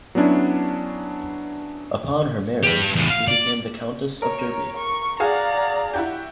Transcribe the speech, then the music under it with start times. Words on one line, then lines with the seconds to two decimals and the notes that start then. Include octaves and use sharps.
Upon her marriage she became the Countess of Derby.
0.15 F#3 B3 C#4 D4 E4
2.64 G4 B4
2.95 E2 A2
3.10 F5
3.28 D5
4.22 A#4 C#5
4.77 C#6
5.20 F#4 G#4 D5 F5 A#5
5.94 E4 F#4 G4